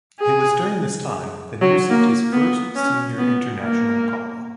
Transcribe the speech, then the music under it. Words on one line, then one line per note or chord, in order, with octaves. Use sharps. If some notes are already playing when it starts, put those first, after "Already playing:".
It was during this time that he received his first senior international call up.
G#4
F#3
A#3
B3
C#4
B3
A#3